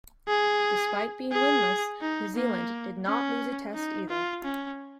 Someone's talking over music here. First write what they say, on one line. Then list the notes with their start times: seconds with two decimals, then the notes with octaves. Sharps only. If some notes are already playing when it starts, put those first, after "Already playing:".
Despite being winless, New Zealand did not lose a test either.
0.28 G#4
1.32 G#4
2.02 D#4
2.36 A#3
3.05 C#4
3.75 D#4
4.10 F4
4.44 C#4